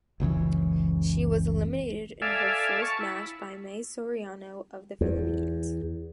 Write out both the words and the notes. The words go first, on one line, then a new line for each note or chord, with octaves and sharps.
She was eliminated in her first match by Mae Soriano of the Philippines.
F#1 C#2 C#3 E3
A4 D5 E5 F5 G#5
A5 C#6
E4
E2